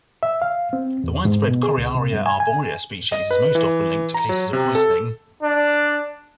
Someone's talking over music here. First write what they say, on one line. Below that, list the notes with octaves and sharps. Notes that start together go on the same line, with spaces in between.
The widespread "Coriaria arborea" species is most often linked to cases of poisoning.
E5
F5
C4
E2
G#2
B2
G#4
C#2
C3
G2
G#5
G#5
D#5
B4
E3
A#5
F#3
C3
A4
D4